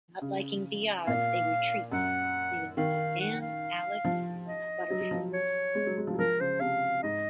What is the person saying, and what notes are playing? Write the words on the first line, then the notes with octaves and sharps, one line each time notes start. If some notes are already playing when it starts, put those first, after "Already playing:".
Not liking the odds, they retreat, leaving only Dan, Alex and Butterfield.
C#3
A#2 F5
F#2 F#5
D#3 F5
F#5
F5
F3
D#5
F#3
F#3
F3
C#5
G#3
F#3
G#3
F3
F#3
F3 A#4
C#3 C5
C3 F5
G#2 D#5